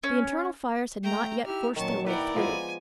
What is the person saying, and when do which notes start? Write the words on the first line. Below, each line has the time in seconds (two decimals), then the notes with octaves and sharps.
The internal fires had not yet forced their way through.
0.04 C#4
1.03 A3 G5 A#5
1.45 D#4 E4 G4 E5 F6
1.76 A#2 D#3 F#3 C#4 A5 C#6
2.06 E4 A#4 B4 D5 F#5 G5 A#5
2.36 F3 G#3 B3 G#5